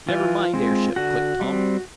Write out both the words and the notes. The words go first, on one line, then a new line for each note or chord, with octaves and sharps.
"NEVER MIND AIRSHIP," clicked Tom.
E3 F4
G#3 C4
D3 F#4
G3 C4